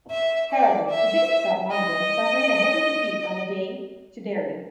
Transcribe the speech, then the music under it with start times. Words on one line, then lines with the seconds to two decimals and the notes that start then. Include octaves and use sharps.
However it didn't stop Monaghan suffering a heavy defeat on the day to Derry.
0.11 E5
0.51 D5
0.90 E5
1.71 D#5